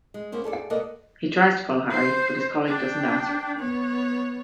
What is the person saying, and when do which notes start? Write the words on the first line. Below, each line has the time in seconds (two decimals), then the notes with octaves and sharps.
He tries to call Harry, but his colleague doesn't answer.
0.14 G#3
0.32 A#3 B3 C#4 C5
0.44 G#4 A4 C5 D5
0.70 B2 A#3 A4 B4 D5 D#5
1.91 C5
2.68 D4 G5
3.58 B3 C#5